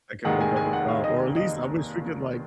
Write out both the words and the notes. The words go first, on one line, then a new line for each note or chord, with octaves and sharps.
I could go back in time, or at least I wish we could, like
F1 D#2 D#3 G#3 F#5
G#5
G#5
F#5
F5
D#5
D#5